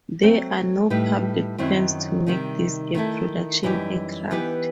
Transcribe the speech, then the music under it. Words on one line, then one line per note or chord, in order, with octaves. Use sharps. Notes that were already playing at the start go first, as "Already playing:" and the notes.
There are no public plans to make this a production aircraft.
F#3 A3 C4
A2 G3 D#4 G4 B4
F#2 D#3 F#3 C4 E4
C3 D#3 G3 D#4
D#3 A3 E4 A4
F#2 E3 G3 D#4 G4
E3 B3 D#4 G4 B4